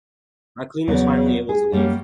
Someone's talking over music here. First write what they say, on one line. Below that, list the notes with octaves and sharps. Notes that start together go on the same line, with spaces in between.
Maclean was finally able to leave.
E2 C#3 F#3 B3 D5
G#4
F#2 G3 A#3 C#4